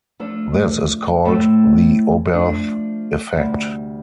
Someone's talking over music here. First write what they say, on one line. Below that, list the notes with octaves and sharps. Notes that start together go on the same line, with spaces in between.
This is called the Oberth effect.
F3 A3 D4 A4
A2 A3 C4 A4
F3 A3 D4
D2 C3 G3